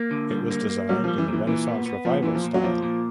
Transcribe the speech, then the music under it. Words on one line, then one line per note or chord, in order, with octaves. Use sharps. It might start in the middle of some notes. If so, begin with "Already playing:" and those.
It was designed in the Renaissance Revival style.
Already playing: A#3
D3
G3
A#3
A#3
F#3 G3
F3
G3
E3
A#2 E3
A#2 E3
B3
B3
A#2 F3
A#2 E3
F3
A#2
F#3
A#2 F3
A#2